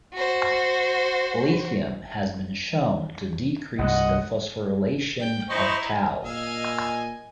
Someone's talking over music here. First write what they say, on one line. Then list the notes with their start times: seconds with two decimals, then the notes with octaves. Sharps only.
Lithium has been shown to decrease the phosphorylation of tau.
0.14 F#4 C5
3.79 C2 G2 G#3 D#5 F#5
5.19 G5
5.49 D#4 E4 C5 D#5 C#6
6.25 A#2 D#5 F5 G#5 E6